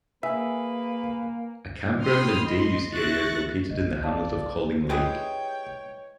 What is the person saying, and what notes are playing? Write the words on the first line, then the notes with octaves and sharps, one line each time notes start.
A campground and day use area is located in the hamlet of Calling Lake.
A#3 G#4 B4 E5
G5 B5 C6 D#6 F6
D#5 C6
E5 C#6 F#6 A6 A#6
A#1 F2 D#5
D5 F5 A5
E3 G#3 G4 G#4 C#5 G5